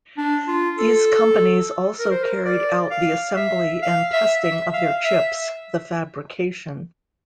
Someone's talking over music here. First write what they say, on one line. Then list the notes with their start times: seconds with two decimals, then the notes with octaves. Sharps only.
These companies also carried out the assembly and testing of their chips, the fabrication.
0.17 D4
0.48 F4
0.78 A4
1.99 A#4
2.11 C5
2.23 A#4
2.45 D5
2.91 F5
3.36 E5
3.82 F5
4.13 E5
4.44 E5
4.73 F5
5.04 E5